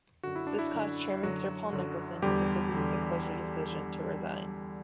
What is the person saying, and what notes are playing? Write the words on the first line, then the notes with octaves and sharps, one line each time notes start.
This caused Chairman Sir Paul Nicholson, who disagreed with the closure decision, to resign.
F#2 D3 F#4
E4
D4
E4
F#2 D3
F#2 D3 F#3 F#4
F#2 D3
E2 D3 G3 G4
E2 D3